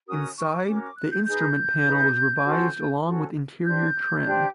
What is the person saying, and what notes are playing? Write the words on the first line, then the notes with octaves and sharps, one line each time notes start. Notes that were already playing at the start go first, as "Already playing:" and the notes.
Inside, the instrument panel was revised along with interior trim.
C#4 F#4 A#4 D#6
C#6
C#4 F#4 A#4 D6
D6
F#6
G6
D#4 G#4 B4 G6
D#4 G#4 B4
C#4 F#4 A4 C5
C#4 F#4 A4 C5
D4 G4 C5 G6
D4 G4 C5